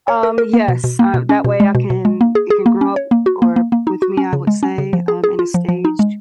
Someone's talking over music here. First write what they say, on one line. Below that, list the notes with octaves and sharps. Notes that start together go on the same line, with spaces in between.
Um, yes, uh, that way I can it can grow up or, with me, I would say, um, in a staged
C#5
A#4
A#4
A#3
B2
B2
A#3
B2
C#4
B2
G#3
B2
B2
G#3
A#3
G#4
G#4
A#3
C#4
C#5
A#3
F#4
A#3
A#3
A#3
D#4
F#4
C#4
C#3
G#3
C#4
C#3
F3
G#4
G#4
F4
F3
F3
D#4
G#3